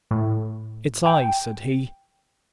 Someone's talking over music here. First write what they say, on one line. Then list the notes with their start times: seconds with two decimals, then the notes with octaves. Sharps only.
"It's I," said he.
0.11 A2
1.06 G5